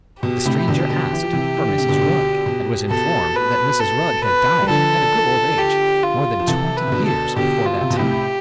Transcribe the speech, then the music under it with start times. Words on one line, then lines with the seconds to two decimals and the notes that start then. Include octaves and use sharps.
The stranger asked for Mrs. Rugg, and was informed that Mrs. Rugg had died, at a good old age, more than twenty years before that time.
0.23 B2 G4
0.45 A2 C3
0.68 B2 D3
0.90 B2 D3
1.13 E3
1.23 F3
1.33 C3 E3
1.57 E3
1.68 D3
1.78 C3
1.89 B2 D3
2.02 B2 D3
2.46 B2
2.90 B2 A4
3.36 B4
3.80 A4
4.24 B4
4.62 G3
4.69 D3 F3 A4
5.58 G4
6.03 F4
6.40 F3
6.47 C3 E3 A4
6.77 B4
6.88 C3
6.92 B2 D3
7.06 A4
7.36 B2 D3 G4
7.66 F4
7.81 C3
7.90 B2
7.96 A2 C3 G4